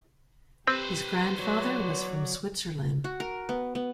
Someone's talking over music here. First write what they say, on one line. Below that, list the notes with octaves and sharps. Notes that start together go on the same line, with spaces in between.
His grandfather was from Switzerland.
C4 G4 B4 C5
F#3 C#5 D5
F#4
A#4
B3
B3